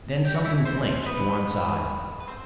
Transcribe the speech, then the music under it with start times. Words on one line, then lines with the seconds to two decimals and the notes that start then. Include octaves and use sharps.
Then something blinked to one side.
0.24 G4 G5
0.34 F#4 F#5
0.45 E4 E5
0.65 C4 C5
1.06 B3 B4
2.20 B4
2.27 C4 C5